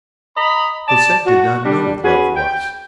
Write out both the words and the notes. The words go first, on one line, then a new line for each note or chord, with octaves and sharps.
Cosette did not know what love was.
D#5 A#5 B5
D5 A5
F#4
G3 D4
C#4 F#4 G#4 B4
G5